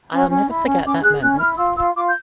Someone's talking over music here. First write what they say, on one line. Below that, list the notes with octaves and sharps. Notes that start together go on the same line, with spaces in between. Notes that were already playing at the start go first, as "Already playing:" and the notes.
I’ll never forget that moment.
C#4
C#4
E4
C#4
C#4 D6
G#4 F#6
C#4 F#6
E4 F6
F4 E6
F4 E6
F4 D6
G6